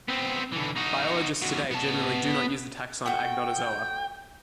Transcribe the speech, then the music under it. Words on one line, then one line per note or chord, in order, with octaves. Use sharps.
Biologists today generally do not use the taxon Agnotozoa.
B3 C4
D3 E3
D#4 F#4
D#2 F#3
B3 A5
A3 F#4 G5